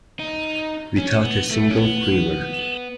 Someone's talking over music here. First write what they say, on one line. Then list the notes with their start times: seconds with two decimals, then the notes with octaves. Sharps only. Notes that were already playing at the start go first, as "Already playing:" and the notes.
Without a single quiver.
0.19 D#4
0.98 C#4
1.25 B3
1.51 A3
1.70 C#4
1.77 B3